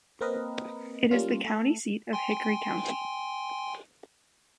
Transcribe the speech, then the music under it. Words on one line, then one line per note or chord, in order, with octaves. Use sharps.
It is the county seat of Hickory County.
A#3 C4 A#4 B4 D#5
G3 A#3 C#4 F4
A3 A4
G5 G#5 C6